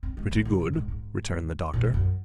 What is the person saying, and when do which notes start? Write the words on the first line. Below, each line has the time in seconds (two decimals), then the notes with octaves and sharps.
"Pretty good," returned the Doctor.
0.03 C4
0.17 G#3
0.31 F#3
0.45 C3
0.60 F#2
0.73 G#2
0.88 G#2
1.73 A2
1.84 G#2
1.94 F#2